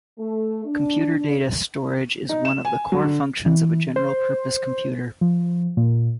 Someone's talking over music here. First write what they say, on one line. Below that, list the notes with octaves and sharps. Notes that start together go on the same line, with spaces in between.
Computer data storage is one of the core functions of a general purpose computer.
A3
D4
D#4
E7
G#5
F#3
D3
E3
C5
F3
A#2